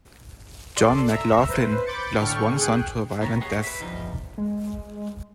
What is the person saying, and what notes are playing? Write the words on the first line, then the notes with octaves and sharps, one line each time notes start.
John McLoughlin lost one son to a violent death.
A4 D5 C6
E5 A#5 E6
B4 C5
B5 D6 G6 A6 C#7
A2 D3 A4 G5 C#6 F6
G#4 G5 F#6
A2 A#3 B3 F#4 A#5
G4 G#4 C#5 D#5 E5 F#5
B4 E5
E2 F3 G3 D#4
G#3